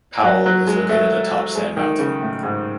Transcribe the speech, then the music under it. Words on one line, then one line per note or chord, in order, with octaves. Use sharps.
Powell is located atop Sand Mountain.
F#3
F#3
G#3
A3
G#3
D#3
C#3
A2
G#2